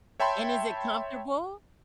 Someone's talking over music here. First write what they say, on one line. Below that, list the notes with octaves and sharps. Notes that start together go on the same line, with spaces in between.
And is it comfortable?
C#5 E5 G5 A5 B5 C6